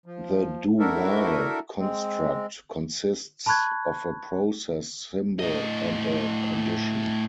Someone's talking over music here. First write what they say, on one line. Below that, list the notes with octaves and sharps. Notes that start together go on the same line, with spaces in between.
The "do while" construct consists of a process symbol and a condition.
F3
D4 E4 F#4 A4 A#4 E5
G#3 C4
A5 B5 C#6 F#6 G#6
A2 D#5